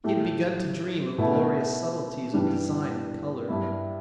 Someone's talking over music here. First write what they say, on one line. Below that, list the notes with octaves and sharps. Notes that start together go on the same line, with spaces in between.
He had begun to dream of glorious subtilties of design and colour.
A2 A3 G4
B2 A3 E4
G2 E3 G3 D4
G2 G3 E4